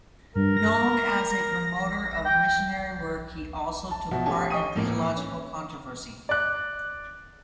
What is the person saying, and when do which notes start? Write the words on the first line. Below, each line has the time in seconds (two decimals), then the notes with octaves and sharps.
Known as a promoter of missionary work, he also took part in theological controversy.
0.36 G2 A#4
0.57 A#6
2.25 G5
3.91 A5
4.11 B2 F3 F#4 E5
4.26 A3 C#4 G4 G#5 A5
4.50 D#5 G5 C#6 D#6 D#7
4.76 A2 A#3
5.17 C#4
6.29 D5 F#6